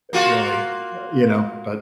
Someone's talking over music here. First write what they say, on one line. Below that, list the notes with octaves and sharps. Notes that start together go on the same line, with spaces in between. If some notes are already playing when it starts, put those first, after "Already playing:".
really, uh, you know, but
A#3 F4 F#4